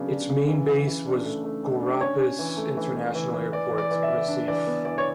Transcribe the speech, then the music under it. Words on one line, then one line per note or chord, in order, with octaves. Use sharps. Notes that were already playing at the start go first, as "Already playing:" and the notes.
Its main base was Guararapes International Airport, Recife.
Already playing: C#3 F#3 B3 D4
D4
C#3
E3
E3
E3
D4
A3
A3
D4
D4
C#4 C#5
C#4
E3
A3
E3
E3
E3
E3
E3 D5
E3
D5
E3
E5
E3
D4
E3 D5
B3
E3 D5
C#5